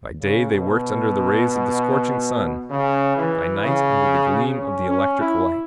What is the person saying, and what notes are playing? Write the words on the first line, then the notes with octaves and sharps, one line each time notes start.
By day they worked under the rays of the scorching sun; by night, under the gleam of the electric light.
C#3
B2
C#3
E3
C#3
C#4
C#4
E4